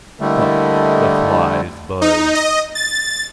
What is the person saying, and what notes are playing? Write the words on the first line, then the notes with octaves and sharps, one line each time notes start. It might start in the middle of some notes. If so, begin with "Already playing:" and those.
Stuck, the flies buzzed.
D3 G3 A3 A#3 E4 D#5
D#4
D#5
A6